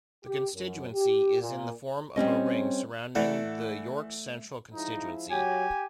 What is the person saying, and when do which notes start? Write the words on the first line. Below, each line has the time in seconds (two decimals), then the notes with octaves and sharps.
The constituency is in the form of a ring surrounding the York Central constituency.
0.24 G4
0.54 F#2
0.94 G4
1.40 A#2
2.16 G3 C4 C#4 D#5
3.15 E3 A3 D5 F#5
4.74 F3 G#3 D#4 E4
5.31 F#3 G4 G#5